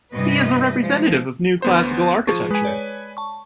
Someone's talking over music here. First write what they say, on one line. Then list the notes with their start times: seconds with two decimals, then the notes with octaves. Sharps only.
He is a representative of New Classical Architecture.
0.15 G2 C3 E3 G3 B4 D#5
0.79 F3 G#3
1.62 D2 B3 C5
2.27 F3 G#4 A5 C#6
2.51 G#3 B4 G#5 B6
2.65 C#5 D5
3.17 A5 C#6